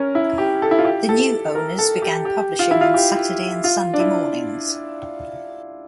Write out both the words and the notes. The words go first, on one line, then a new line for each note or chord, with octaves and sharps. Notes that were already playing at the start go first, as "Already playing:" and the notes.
The new owners began publishing on Saturday and Sunday mornings.
Already playing: C#4 A#4
E4
G4
A4
E4
F4
G4
A4
A#4
A4
G4
G4
F4
E4
F4
G4
F4
D4
E4